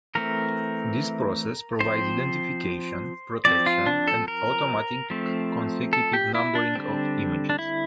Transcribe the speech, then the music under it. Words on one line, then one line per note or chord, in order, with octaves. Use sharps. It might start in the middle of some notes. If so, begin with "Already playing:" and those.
This process provides identification, protection, and automatic consecutive numbering of the images.
E3 A3 C4 A#4
F3 C4 C5
F3 C4 D5
F4
D4
A4
A#4
F3 A3 C4
A4
G4
E4
D4
D3 G3 C4
D4
E4